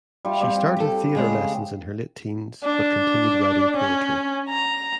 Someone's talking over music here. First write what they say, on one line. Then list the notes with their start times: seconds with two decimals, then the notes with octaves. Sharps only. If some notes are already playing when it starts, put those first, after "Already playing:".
She started theatre lessons in her late teens, but continued writing poetry.
0.25 G3 F4
0.41 G3 C4
0.77 G4 A4
1.15 C#3 G#3 C#5
2.64 D4
3.76 C#4
4.50 A#5